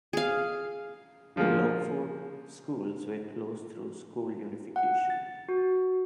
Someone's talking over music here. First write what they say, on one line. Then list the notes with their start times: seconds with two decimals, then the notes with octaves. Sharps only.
Longford schools were closed through school unification.
0.13 G#4 F5
1.36 D3 F3 G3 G#3 A#3
4.76 F#5
5.10 A6
5.49 F#4